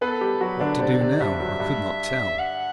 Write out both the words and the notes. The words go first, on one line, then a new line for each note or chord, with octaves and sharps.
What to do now, I could not tell.
B3 A4 B4
G3 G4
F#3 F#4 B4
D3 D4
C3 C4 D5
C3 C4
G2 G3 E5
F#3
G2 G3
F#5